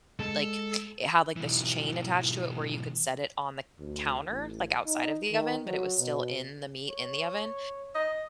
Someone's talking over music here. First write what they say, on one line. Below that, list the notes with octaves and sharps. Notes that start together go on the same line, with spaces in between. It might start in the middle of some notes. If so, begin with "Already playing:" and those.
like, it had, like, this chain attached to it where you could set it on the counter, like, outside of the oven, but it was still in the meat in the oven,
G#3 A4
B1 E3
D2
A1
D#4
D#3
F#3
B2
C#5
D#5